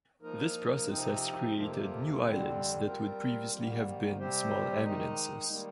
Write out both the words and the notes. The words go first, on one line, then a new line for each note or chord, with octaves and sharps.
This process has created new islands that would previously have been small eminences.
F3 A#3 D#4 A#4
C3 F3 C4 D#4
F2 C3 F3 A#3
F2 D3 G3 C4
G3 C4 F4 A#4
G#2 D#3 G3 A#3
C3 G3 C4 G4 C5
D#3 G#3 D#4
D#3 G3 A#3